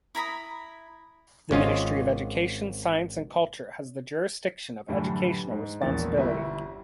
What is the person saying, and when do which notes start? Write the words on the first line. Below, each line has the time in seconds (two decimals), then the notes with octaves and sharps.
The Ministry of Education, Science and Culture has the jurisdiction of educational responsibility.
0.15 E4 A#5 B5 D#6
1.51 G#1 C#4 F4 D#5
4.88 F#2 A2 D3 E3 G3
5.51 G#2
5.82 E1 A#1 E2 A#3 C#4 A6
6.18 G1 G3 E4